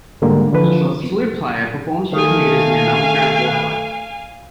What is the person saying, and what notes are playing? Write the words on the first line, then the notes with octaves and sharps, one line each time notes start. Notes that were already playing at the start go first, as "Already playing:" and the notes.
Flute player performs for commuters in an underground walkway.
G#2 D3 G3 G#3 A#3
D3 E3 F3 B4
D#3 A3 F5 G#5